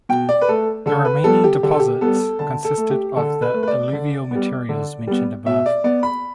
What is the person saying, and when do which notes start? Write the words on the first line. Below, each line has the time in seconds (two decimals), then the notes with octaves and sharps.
The remaining deposits consisted of the alluvial materials mentioned above.
0.09 B2 G5
0.29 D5
0.41 B4
0.49 A3 A4
0.86 D3 A4
1.05 B4
1.24 G3 B3 A4
1.44 G4
1.63 D3 G4
1.71 A4
1.79 G4
2.01 G3 B3 A4
2.39 D3 A5
2.65 A4
2.77 A3
2.90 G4
3.16 D3 A4
3.42 B4
3.54 A3
3.63 B4
3.68 D5
3.93 D3
4.31 G3 B3
4.69 D3
5.07 G3 B3
5.46 B2 E5
5.66 D5
5.84 B3 D5
6.03 B5